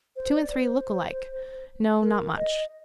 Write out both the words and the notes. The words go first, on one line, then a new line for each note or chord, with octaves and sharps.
Two and three look alike--no, not much.
C5
D5
C5
A#4
D#5